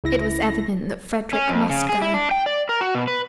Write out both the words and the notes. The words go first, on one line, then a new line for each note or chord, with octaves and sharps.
It was evident that Frederick must go.
C#2 E4 A#6
C#4
F2
C#3
G#4
E4
D4
G5
D5
A#4
F#4
B2
B4